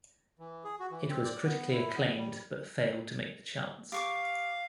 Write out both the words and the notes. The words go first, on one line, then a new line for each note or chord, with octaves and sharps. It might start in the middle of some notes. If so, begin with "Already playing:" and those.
It was critically acclaimed but failed to make the charts.
E3
G#4
F#4
E3
C4
D5
B3
E4
B3
G3
G4 F5 C#6 D6